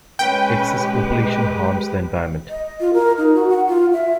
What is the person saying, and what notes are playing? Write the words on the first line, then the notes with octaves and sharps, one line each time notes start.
Excess population harms the environment.
G#3 C#4 B4 G5
G#3 G4 B4
D#5
F4
A#4
D#4
F#4
F#5
F4
E5